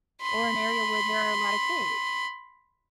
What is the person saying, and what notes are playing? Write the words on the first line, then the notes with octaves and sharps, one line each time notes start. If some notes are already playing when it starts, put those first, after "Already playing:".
Or an area where there are a lot of kids?
B5 C6